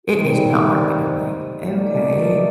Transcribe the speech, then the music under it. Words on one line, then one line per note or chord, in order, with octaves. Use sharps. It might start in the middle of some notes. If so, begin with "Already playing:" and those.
"It is not working," I'm like, "Okay,"
D#3 G3 C4 D#4
A3 D#4 A#4 D5